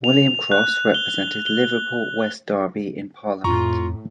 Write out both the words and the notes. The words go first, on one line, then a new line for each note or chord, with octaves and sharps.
William Cross, represented Liverpool West Derby in Parliament.
F7
F#6
G7
G7
F2 A2 F4 A#5 C#6